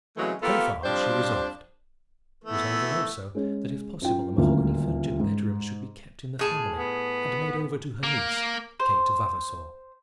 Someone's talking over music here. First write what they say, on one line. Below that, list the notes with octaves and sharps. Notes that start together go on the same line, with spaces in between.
So far she resolved,--resolving also that, if possible, the mahogany-furnitured bedrooms should be kept in the family, and made over to her niece, Kate Vavasor.
C#3 E3 F#3 G#3 A3 C4
A#3 B3 F4 G4 A4
F3 G3 C4 D4 C5
E3 A3 B3
G#3 C#4
F#2 F4 G5
D#1 A1 D2 D3 F3 A#3
G#2
A2 G#4 A5
B3
A#3
C5